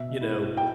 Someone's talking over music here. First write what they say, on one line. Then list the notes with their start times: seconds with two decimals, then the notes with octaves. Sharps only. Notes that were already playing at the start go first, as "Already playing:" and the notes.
you know,
Already playing: B2 E5
0.21 E4
0.57 G5